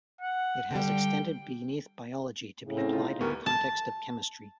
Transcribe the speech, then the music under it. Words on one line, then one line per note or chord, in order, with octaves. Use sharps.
It has extended beneath biology to be applied in the context of chemistry.
F#5
D3 G3 G5
A2 C#3
C4 C#4 A#6
D#4 F4
D2 B3 G4 A#4 C#6
A5